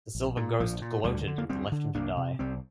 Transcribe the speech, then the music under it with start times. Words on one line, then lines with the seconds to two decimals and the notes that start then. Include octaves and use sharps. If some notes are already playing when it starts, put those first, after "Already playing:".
The Silver Ghost gloated and left him to die.
0.15 A#1
0.37 A#2
0.60 A#1 F3
0.81 A#2
1.04 D2 D3 G3
1.27 D3
1.38 A#3
1.49 D2 G3 C4
1.72 D3
1.95 C2 A#3 D4
2.17 C3
2.39 C2 G3 C4